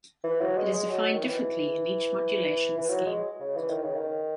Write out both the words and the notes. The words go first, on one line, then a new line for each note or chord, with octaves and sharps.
It is defined differently in each modulation scheme.
E3
F#3
G#3
G#3
F#3
D#3
E3
E3
F#3
G#3
C#3
E3
D#3
C#3
D#3